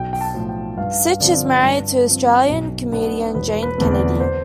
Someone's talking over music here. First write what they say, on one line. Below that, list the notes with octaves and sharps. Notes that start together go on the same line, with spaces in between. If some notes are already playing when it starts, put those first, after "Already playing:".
Sitch is married to Australian comedian Jane Kennedy.
Already playing: B1 G5
G5
A5
A2 F3
G5
G2 F5
D3 F3 C4 D5
G2
F3 C4
B1
B2 B3 D4
E1 B4
B4
E2 D3 A3 C4
D5
C5